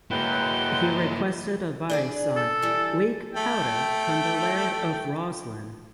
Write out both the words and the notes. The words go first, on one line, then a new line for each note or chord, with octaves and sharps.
He requested advice on "weak powder" from the Laird of Roslin.
F#3 G#3 A#3 E4 B4 F#5 G5 G7
D4 G#4 D5
A4
E3 G3
A3 G5